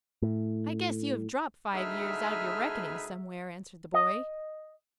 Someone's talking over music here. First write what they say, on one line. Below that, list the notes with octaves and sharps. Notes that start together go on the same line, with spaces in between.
"I guess you have dropped five years out of your reckoning somewhere," answered the boy.
A2
D2 D#4 G#4 B4 E5 F6
D#5